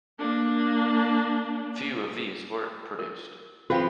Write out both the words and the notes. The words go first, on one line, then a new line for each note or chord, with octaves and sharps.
Few of these were produced.
A#3 D4
A#4
F3 C4 F#4 B4 F5 B5